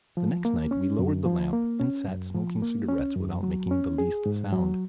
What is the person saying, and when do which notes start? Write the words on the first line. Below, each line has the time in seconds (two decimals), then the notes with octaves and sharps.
The next night we lowered the lamp and sat smoking cigarettes without making the least sound.
0.17 F3
0.45 A#3
0.71 C#4
0.99 F#2
1.25 F3
1.53 A#3
1.80 C#4
2.08 F#2
2.34 F3
2.62 A#3
2.88 C#4
3.16 F#2
3.43 F#3
3.71 C#4
3.98 G#4
4.26 G#2
4.53 F#3